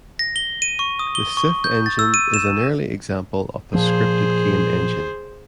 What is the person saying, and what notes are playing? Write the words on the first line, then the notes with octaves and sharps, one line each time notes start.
The Sith engine is an early example of a scripted game engine.
A#6
G7
D#7
C#6
D#6
G7
C#6
G6
A6
E6
D#7
E7
A#2 F3 G#4 C5